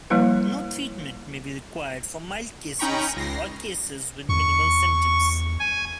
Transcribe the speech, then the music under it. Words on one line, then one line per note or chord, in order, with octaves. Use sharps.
No treatment may be required for mild cases or cases with minimal symptoms.
F3 G3 A#3 E4 B4
C#4 D#4 G5 A#5 B5 C#6
C#2 A#6 C7
E2 C#6
G#5